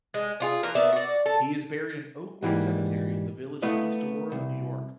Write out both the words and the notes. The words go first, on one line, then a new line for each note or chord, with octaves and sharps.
He is buried in Oakwood Cemetery in the Village of East Aurora, New York.
G#3
D4 F4 G#4
E3 A#3 A#4
D#3 B3 D5 E5
F#4 D5
A4
G#2 E3 G3 A#3
A3 B3 E4 D#5 F5
C2